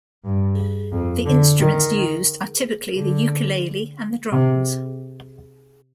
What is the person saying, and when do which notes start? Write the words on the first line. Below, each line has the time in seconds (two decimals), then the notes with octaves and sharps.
The instruments used are typically the ukulele and the drums.
0.25 G2
0.92 F2
1.26 D3
1.60 D#3
2.96 D3
4.32 C3